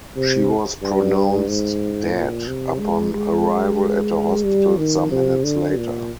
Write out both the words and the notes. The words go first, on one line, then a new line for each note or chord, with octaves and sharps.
She was pronounced dead upon arrival at a hospital some minutes later.
C3
G2
G#2
A#2
C3
G#3
G#3
G3
D#3
C3
D3
A#2